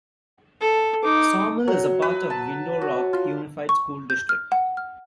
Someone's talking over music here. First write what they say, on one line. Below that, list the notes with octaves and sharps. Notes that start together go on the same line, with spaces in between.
Sawmill is a part of Window Rock Unified School District.
A4
D#4 D6
F#3
B4
A5
F#4
F4
C#6
G6
F6
F#5
F6